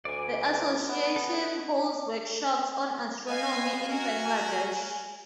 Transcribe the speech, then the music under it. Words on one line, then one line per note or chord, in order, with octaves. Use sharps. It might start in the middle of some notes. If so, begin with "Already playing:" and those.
The Association holds workshops on astronomy in Bangladesh.
D2 D5 G#5
B3
D#4 A4
B3 D#5 F5 G#5
F#4 A#4 G#5